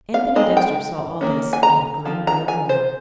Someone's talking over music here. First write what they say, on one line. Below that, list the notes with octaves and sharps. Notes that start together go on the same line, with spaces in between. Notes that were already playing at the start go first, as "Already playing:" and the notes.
Anthony Dexter saw all this--and a great deal more.
F5
G#3 C4 D#4 D#5
G5
D#3 A#3 C#4
G#5
A#5
F3 C4
A#5
G#5
C5